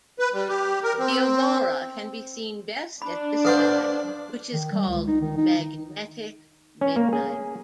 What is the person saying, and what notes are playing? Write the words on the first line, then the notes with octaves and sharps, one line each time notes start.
The aurora can be seen best at this time, which is called magnetic midnight.
B4
G3
G4
A#4
C4
D4 B5
A4 B4 C5 D5 F5 F#5
D#3
G3
C#2
D#4
D#3
D#4
C#4
A#3
G#4